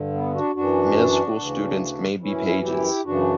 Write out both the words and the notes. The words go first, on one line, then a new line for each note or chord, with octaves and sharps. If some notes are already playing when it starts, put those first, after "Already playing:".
Middle school students may be pages.
Already playing: G2 D3
B3
D4 F#4
F#2 E3 D4 F#4
D2 C#3 E3
F#2 E3 C#4 E4
E4 G4
F#2 C#3 E3 D4 F#4